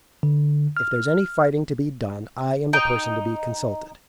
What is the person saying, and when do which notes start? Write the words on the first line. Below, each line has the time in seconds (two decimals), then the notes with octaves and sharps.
If there is any fighting to be done, I am the person to be consulted.
0.23 D3
0.77 F6
2.73 D#4 G5